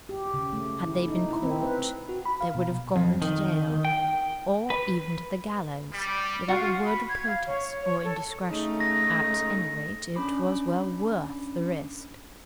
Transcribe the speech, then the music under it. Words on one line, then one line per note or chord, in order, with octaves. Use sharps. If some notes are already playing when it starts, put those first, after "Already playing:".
Had they been caught they would have gone to jail, or even to the gallows, without a word of protest or indiscretion; at any rate it was well worth the risk.
G4
C#3
A3
E4
D#4
E4
C4
B4
F#4
B5
F5
B2
F2
D#3
G5
B4
G3
F4 F#4
B5
G#6
F5
C#5
C#5
A4
C#3 A3 D#4
A#6
C#4 D4 B5 D6